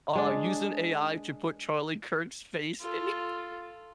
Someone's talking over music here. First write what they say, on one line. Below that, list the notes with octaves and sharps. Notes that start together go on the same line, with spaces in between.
uh, using AI to put Charlie Kirk's face in if
G#3 D4
F4 A4